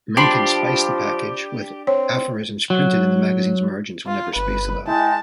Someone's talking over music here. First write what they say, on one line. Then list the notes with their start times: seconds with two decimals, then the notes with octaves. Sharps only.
Mencken spiced the package with aphorisms printed in the magazine's margins whenever space allowed.
0.17 F3 D4 G4 B5 C6
1.87 C4 C#5
2.70 F#3
4.07 F4
4.36 G1 B4
4.87 G#3 E4 G5 A5